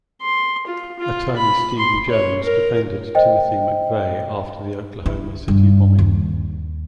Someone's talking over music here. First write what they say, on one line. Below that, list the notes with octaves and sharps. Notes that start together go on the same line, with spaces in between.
Attorney Stephen Jones defended Timothy McVeigh after the Oklahoma City bombing.
C6
F4
F4
B5
C6
C#5
A#4
C5 D#5 G5
E4
G2
D#2